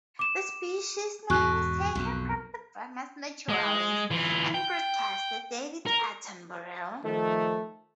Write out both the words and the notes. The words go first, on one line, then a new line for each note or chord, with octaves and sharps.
The species name is taken from the famous naturalist and broadcaster David Attenborough.
D6 E7
E2 G#2 B2 F#4 C#6 F#6
B1 F2
G#3
E3 F4
G5
A#4
D#3 F3 A3